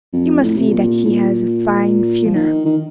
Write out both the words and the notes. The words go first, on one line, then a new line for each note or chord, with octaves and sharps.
You must see that he has a fine funeral.'
F2
A2
C3
A#2
A2
A#2
F3
D#3
D#3